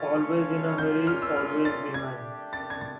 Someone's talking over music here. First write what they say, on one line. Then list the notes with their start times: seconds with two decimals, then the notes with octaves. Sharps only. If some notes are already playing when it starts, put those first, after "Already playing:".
Always in a hurry, always behind.
Already playing: C#4 F4 A4 C#5 F5 A6
0.78 A#3 C#4 F4 G6
1.07 F6
1.22 E6
1.36 F6
1.65 A6
1.94 A3 D4 G4 G#6
2.53 A6
2.70 G#6
2.81 A6